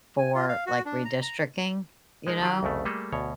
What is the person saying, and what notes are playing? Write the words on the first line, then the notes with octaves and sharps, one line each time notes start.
for, like, redistricting, you know,
G#5
F4
F5
F#4
D4
A#5
A#5
G#3 D#4 A#4
D#3 F#3 F4 G4
C2 F2 C#3 A3
G3 A3 A#3 G#4 A4
D2 B2 C#5